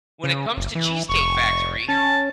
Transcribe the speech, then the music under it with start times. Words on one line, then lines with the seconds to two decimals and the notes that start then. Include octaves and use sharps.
when it comes to Cheesecake Factory,
0.24 C#3
0.57 F#1
0.75 E3
1.09 F1 C#6
1.89 C#4 A5